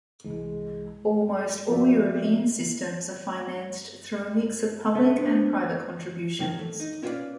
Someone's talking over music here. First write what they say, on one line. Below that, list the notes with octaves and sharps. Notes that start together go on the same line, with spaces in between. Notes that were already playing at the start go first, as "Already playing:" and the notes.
Almost all European systems are financed through a mix of public and private contributions.
C2 E3 G#3
F3 C4 F#4 D5 E5
B3 C#4 A4 E5
D4 C5
C2 D#3 F#3
A3
D#4
C#4 E4 F4 G4 B4 D5